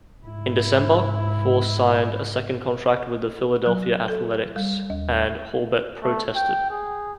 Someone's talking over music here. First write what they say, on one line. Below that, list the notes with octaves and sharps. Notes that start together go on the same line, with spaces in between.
In December, Force signed a second contract with the Philadelphia Athletics, and Hulbert protested.
G#2 E4
F#3
A4
G3
D#2
A3
G5
G#4